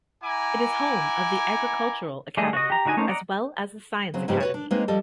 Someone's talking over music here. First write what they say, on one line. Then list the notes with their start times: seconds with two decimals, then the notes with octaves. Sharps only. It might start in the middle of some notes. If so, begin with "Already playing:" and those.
It is home of the Agriculture Academy as well as the Science Academy.
0.23 E4 F#5 G#5 A#5 D6
2.37 G3 A3 G#4 D#5
2.53 F#4 D#5
2.70 G4 A#5
2.85 D3 D#4 F#4 D#5 G#5
2.97 A3 A#3 C#4 D#4 C5
3.09 D5 D#5 F#5 A#5
4.14 C#3 F#3 C4
4.28 G#2 C#3 F3 B3 C4 G4
4.40 F#4 B4 C#5
4.54 D4
4.71 G#3 A#3 C4 D#4 B4
4.88 F3 G3 A4 D#5